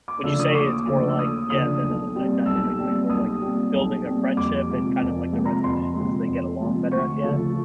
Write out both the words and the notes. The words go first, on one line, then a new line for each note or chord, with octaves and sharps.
Would you say it's more like Yeah, than a a dynamic like, more like building a friendship and kinda like the resolution as they get along better at the end?
D6
C#3 F3 A3 D4 E6
D#6
C#6
D#2 D6
C#3 F3 A3 D4
E6
D#2 D#6
C#3 F3 A3 D4 D#6
B1
A#2 G3 C4
B1 E6
A#2 G3 C4
B1 D#6
A#2 G3 C4
B1
A#2 G3 C4
F2 D6
C3 F3 G#3
F2
C3 F3 G#3
A#5
B5
F2 C6
C3 F3 G#3
F2
C3 F3 G#3
D2 C#6
C#3 F3 A3